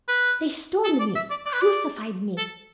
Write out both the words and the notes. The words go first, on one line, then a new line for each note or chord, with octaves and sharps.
They stoned me, crucified me...
B4
A4
D5
E5
D5
D5
B4
D5
A4